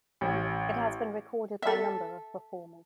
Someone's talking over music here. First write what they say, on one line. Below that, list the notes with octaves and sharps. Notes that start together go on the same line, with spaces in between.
It has been recorded by a number of performers.
A1
A4 E5